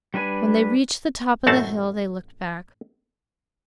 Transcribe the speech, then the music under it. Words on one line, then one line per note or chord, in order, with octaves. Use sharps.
When they reached the top of the hill they looked back.
G3 D4 B4 G#5
A1 F#2 A3 C4 F#4 A5